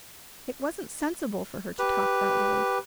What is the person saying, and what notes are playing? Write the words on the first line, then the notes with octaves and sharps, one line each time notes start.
It wasn't sensible for her to talk that way.
G4 B4